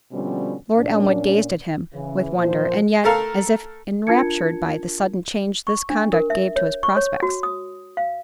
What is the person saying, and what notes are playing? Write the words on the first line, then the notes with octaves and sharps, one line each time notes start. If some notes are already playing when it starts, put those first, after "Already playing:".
Lord Elmwood gazed at him with wonder! and yet, as if enraptured by the sudden change this conduct gave to his prospects.
B2 D3 F3 G3 C4 C#4
A#2 C#4 D4
C#3 E3
A#2 F3 C5
A3 A4 A#4 F5
D4 F4 A#4 A5 G#6 C#7
C#6
D4
A#4
E5
C#5
C#6
C#5
F#4
D#6
F5